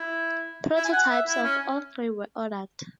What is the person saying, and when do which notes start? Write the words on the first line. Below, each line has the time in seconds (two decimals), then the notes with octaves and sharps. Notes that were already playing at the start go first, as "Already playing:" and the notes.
Prototypes of all three were ordered.
Already playing: E4
0.75 E4
0.85 G#5
0.92 F#5
1.10 E5
1.27 E4
1.44 C#4